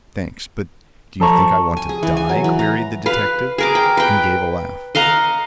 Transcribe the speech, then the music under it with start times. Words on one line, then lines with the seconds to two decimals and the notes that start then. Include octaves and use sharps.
"Thanks, but do you think I want to die?" queried the detective, and gave a laugh.
1.20 F3 A4 A5 A#5 C#6
1.77 G#5
1.89 G#4
2.03 E3
2.17 G#5
2.29 F#3
2.44 E3
2.59 A#5
3.06 B4 F5
3.58 G#4 A#4 D6
3.75 G5
3.97 B4 G5
4.95 D#5 F5 F#5 A#5